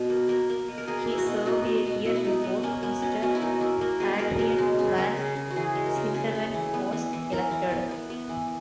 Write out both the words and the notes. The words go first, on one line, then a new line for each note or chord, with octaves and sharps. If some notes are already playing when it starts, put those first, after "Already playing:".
He served a year before Mr. Adrian Van Sinderen was elected.
Already playing: B2
A#3
A#3 A#4
A#3
B2
A#4
A#3 G#4
A#3 E4
F#4
B2
B2 D#4
B2
B2
B2 E4
E4
B2 D#4
B2 B3
A#3 C#4
A#3 B3
B2 C#4
B2 C#4
E4
A#3 D#4
A#3 E4
A#3 F#4
B2 G#4
B2 A#4
C#3 A#4
G#3
C#3
C#3 A#4
C#3
C#3
F#4
E3 G#4
G#3
A#4
C#3
C#3
C#3
E3
B3
E3
E3
E3 A#4
E3
B3
B3
B3
E3